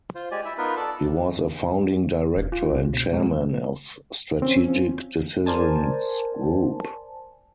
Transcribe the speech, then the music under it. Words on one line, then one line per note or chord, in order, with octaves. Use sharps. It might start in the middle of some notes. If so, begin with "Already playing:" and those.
He was a founding Director and Chairman of Strategic Decisions Group.
F4 C5
G#3 G4 D5 G#5
E4 E5
B3 D#4 F4 A#4 B4
A4 D5 A5
D#1
F4
C2
B2
G#3
F3 C4 C#4
A#4 C5 D5 G#5 A5